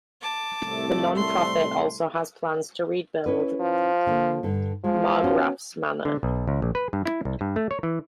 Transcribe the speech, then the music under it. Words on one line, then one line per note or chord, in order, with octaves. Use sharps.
The non-profit also has plans to rebuild Marggraff's manor.
A5 D6
C2 A2 A3
C6
C#4 E4 B4
F3
D3 A#3
G2 D3
F3 G#3
B3 C#4 F#4
D3
B1
C#2
A#1
B4
G2
E4
C2
G2
A3
C#5
E3